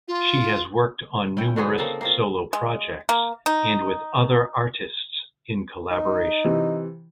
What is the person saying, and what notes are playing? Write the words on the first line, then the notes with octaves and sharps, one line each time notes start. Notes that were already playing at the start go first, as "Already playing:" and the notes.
She has worked on numerous solo projects and with other artists in collaboration.
F4
C#4 E4 G5
D3 F#3 B3 G#4
C#3 A#3 C4 A4
A#3 C4 F4
G#3
A#3
D#4
D#4
C3 E3